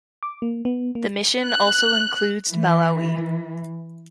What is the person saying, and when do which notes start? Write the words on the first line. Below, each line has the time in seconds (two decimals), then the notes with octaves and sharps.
The mission also includes Malawi.
0.23 D6
0.42 A#3
0.65 B3
0.95 A#3
1.45 F#6
2.50 E3